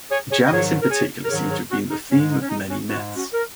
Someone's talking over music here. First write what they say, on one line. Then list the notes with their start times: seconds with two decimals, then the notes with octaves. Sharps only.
Janus in particular seems to have been the theme of many myths.
0.11 G#4 C#5
0.31 G#4 C#5
0.47 D#5
0.51 G#2 D#3 F#3 G#4 C#5
0.82 A#4
0.90 G#4 C#5
1.24 A#4
1.30 G#2 D#3 F#3 G#4 C#5
1.50 G#4 C#5
1.70 C#4 F#4
1.90 D#4
2.10 G#2 G#3 C#4
2.30 D#4
2.41 C#4
2.49 D#4
2.69 C#4 F#4
2.89 G#2 C#4 F#4
2.93 G#3
3.15 C#4 F#4
3.33 A#4